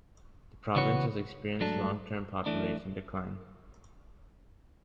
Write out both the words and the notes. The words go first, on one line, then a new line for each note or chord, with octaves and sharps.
The province has experienced long-term population decline.
C#3 E3 B3 F#4 C#5
G#2 F#3 A3 D4 A4
E3 A3 D4